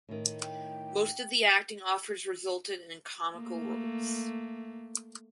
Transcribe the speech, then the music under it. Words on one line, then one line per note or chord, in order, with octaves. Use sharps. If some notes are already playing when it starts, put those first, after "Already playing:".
Most of the acting offers resulted in comical roles.
A2 D#3
G5
A3 A#3